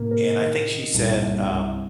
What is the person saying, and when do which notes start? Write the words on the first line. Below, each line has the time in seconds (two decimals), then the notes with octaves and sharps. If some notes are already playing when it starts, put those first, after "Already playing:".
and I think she said, um
Already playing: A2 C3 A#3
0.11 A#4
0.39 D#3
0.67 D#4
0.94 C2 G2 A#2
1.22 C2
1.49 C2 G2